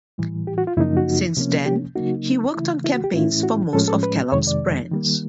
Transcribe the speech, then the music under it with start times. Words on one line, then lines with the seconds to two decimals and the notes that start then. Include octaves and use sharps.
Since then, he worked on campaigns for most of Kellogg's brands.
0.18 A2 E3 G3
0.47 G4
0.58 F#4
0.67 F4
0.77 F#2 C#3 F3 A#3 D#4 E4
0.97 F#4
1.37 C3 F3 A#3 C#4
1.66 G4
1.95 C#3 F#3 A#3 D#4 F#4
2.55 C#3 E3 A3 E4
2.85 E4
2.94 F#4
3.04 G4
3.14 A2 E3 A3 C#4 E4 F4
3.43 F#4
3.73 A2 F3 G#3 C#4 A4
3.88 A4
4.03 B4
4.32 F2 C3 D#3 G#3 C#5
4.47 D5
4.91 D#3 G3 A#3